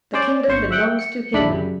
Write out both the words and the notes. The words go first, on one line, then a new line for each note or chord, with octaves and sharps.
"The kingdom belongs to him."
C#4 C5 D5
G1 C5 C#6
E5 F#5 G5
C#7
A#1 D#2 D4 E4 B5
F#2 C#3 G3